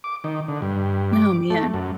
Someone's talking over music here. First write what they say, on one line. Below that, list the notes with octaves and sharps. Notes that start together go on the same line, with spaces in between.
Oh, man.
D6
D#3
D3
G2
D6
A3
F#2